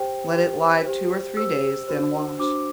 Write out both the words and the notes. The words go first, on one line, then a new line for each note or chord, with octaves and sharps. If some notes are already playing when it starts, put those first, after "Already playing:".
Let it lie two or three days, then wash.
Already playing: G4 C5 G5
G4 C5
G4 C5
G4 C5 E6
D4 F#4 C5
D4 F#4 C5 D6